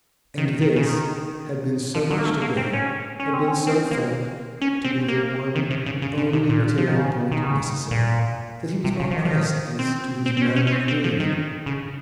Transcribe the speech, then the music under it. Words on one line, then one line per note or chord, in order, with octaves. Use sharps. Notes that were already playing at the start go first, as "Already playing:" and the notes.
And this had been so much to gain, had been so felt to be the one only material point necessary, that he was not pressed as to his manner of doing it.
D#3
D#3
C#3
D#3
F3
F#3
A#3
A3
A#3
C4
C#4
C#4
C4
C#4
C4
A#3
C#4
C4
A#3
D#3
C3
C#3
C#3
C#3
C3
A#2
F3
D#3
C#3
D#3
C#3
A#2
C3
C#3
F3
D#3
F3
D#3
C4
C4
C4
C#4
C#4
C#4
C4
C4
F3
D#3
C#3